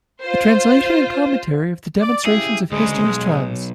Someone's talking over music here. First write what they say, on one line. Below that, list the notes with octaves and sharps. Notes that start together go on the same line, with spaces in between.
A Translation and Commentary of the Demonstrations of Histories, trans.
F4 C5
D5
C#3 E4 G4 G#4
D2 C#3 G#3
B1